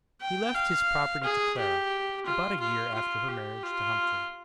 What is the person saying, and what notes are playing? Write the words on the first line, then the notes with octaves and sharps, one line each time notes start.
He left his property to Clara, about a year after her marriage to Humphrey.
G5
F5
G#4
G4
F4
F4
F4
G4
F4